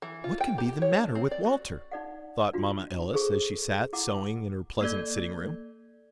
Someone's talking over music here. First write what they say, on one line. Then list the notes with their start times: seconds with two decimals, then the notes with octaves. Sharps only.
"What can be the matter with Walter," thought Mama Ellis as she sat sewing in her pleasant sitting-room.
0.02 E3
0.24 F4
0.41 G5
0.58 G4
0.82 C#5
0.97 D4
1.15 C4
1.31 D5
1.45 F#4
1.91 D#4 D5 F#5
2.53 D4 F4 F#4
3.14 G#4 A4 C5 G#5 C#6
3.93 E4 F#5 D6
4.81 A#3 A4 D5 G#6